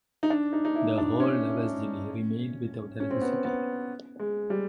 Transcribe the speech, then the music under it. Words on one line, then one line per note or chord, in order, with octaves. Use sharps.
The whole Nevesinje remained without electricity.
D#4
D4
D#4
D#4
E4
D4
C#4
C#4
C4
B3
C4
B3
G#3
G3